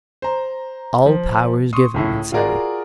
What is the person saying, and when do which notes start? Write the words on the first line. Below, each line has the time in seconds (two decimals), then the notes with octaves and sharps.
"All power is given," etc.
0.22 C5 A#5
1.06 F3
1.73 C6 C#6 D#6
1.94 C#2 A2 E4
2.32 F4 F#4 G#4 A#4 D5